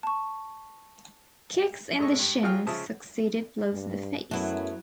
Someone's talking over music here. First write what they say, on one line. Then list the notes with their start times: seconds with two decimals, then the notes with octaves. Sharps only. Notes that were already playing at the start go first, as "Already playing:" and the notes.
Kicks in the shins succeeded blows in the face.
0.03 A5 C#6
1.99 G#2 G#3 A4 D#5 C#6
2.19 G2
2.43 F#3 F4 F#4 G#4 G5 F6
2.67 C#3 F3 G#3 E5 A5 D#6
3.73 G2
4.31 F#2 F#3 A3 B3 E4